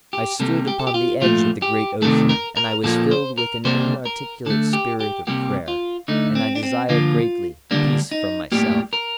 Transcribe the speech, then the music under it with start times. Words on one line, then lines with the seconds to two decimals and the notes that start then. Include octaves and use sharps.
I stood upon the edge of the great ocean, and I was filled with an inarticulate spirit of prayer, and I desired greatly--peace from myself.
0.13 G4
0.40 C3 G3 A#3 A4
0.68 G4
0.79 A4
0.87 G4
0.94 F4
1.21 A#2 F3 A3 F4
1.62 G4
2.02 C3 D#3 A3 A4
2.29 A#4
2.57 A#4
2.84 A#2 F3 A#3 A4
3.11 C5
3.38 A#4
3.65 C3 G3 A#3 C5
4.05 A#4
4.46 D3 A3 A4
4.73 G4
5.00 G4
5.27 C3 G3 A#3 G4
5.68 F4
6.08 D3 A3 D#4
6.35 C4
6.55 D4
6.63 C4
6.89 D3 F3 A#3 F4
7.71 D3 G3 A#3 D4
8.11 D#4
8.52 A2 G3 A#3 G4
8.93 A#4